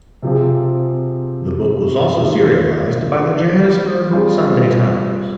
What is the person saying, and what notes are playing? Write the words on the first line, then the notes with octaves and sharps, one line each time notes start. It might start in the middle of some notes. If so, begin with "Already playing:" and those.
The book was also serialized by the Johannesburg "Sunday Times".
C3 F3 C4 F4 G#4
D#3 A#3 F4
G3 C4 F4 G#4